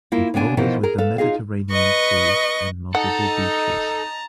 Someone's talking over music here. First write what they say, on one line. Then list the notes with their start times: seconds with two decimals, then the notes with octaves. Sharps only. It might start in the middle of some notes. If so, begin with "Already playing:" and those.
It borders with the Mediterranean sea and multiple beaches.
0.12 A#3 E4 F4
0.34 C#3 B3 D4 G#5
0.57 B2 E3 F3 D#4 F4 A#4
0.83 G#4 A#4
0.98 A4 B4 F5
1.18 D#4 F4 G#4 D#5 F5
1.70 B4 D#5 C#6 A#6
2.95 D#4 A4 F#5 A5 A#5